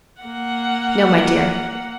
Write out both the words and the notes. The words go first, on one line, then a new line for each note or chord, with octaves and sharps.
"No, my dear."
A#3 F#5